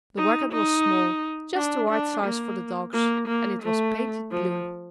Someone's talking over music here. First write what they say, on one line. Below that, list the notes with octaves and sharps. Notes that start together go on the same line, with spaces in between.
The wagon was small, just the right size for the dogs; and it was painted blue.
D#4
D#4
D4
D4
A#3
A#3
A#3
A3
F3